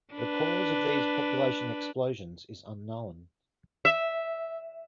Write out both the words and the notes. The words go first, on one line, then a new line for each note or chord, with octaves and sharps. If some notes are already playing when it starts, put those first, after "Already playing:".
The cause of these population explosions is unknown.
D4 B4
E5